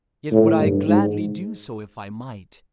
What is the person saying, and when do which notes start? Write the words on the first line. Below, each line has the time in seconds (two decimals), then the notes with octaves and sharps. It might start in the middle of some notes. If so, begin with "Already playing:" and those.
Yet would I gladly do so, if I might.
0.32 A2
0.60 G2
0.88 G#2